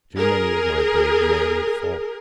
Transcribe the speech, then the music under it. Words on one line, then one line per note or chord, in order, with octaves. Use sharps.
Too many of my brave men would fall.
G#4 A#4